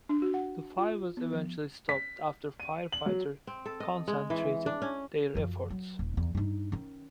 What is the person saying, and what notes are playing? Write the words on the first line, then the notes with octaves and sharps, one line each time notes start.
The fire was eventually stopped after firefighters concentrated their efforts.
D4
F#4
F#5
F4
B3
F3
B6
D#7
F#7
F#3
C4
A4
D#5
G#3
E3
D4
C#4
F#2 F3
F#3
D#1
E2
G2 D#4
D#3 C#4